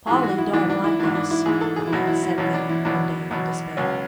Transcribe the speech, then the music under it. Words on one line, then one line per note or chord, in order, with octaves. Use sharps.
"Polly don't like us," at last said Van one day in despair.
G#2 E3 G#4
F#4
E4
G#2 E3 D4
D4
E4
G#2 E3 D4
D4
E4
G#2 E3 G#4
A4
G#4
E4
E2 B2 F#3 F#4
E4
E4
E2 B2 F#3 C#4
D4
E4
E2 B2 F#3 D4
E2 B2 F#3
C#2 B2 F#3 C#4